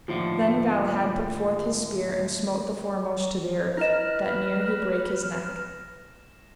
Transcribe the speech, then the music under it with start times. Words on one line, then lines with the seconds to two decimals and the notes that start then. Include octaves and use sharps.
Then Galahad put forth his spear and smote the foremost to the earth, that near he brake his neck.
0.08 D#2 A2 D3 F3
3.77 E4 B4 D#5 F6 A#6 E7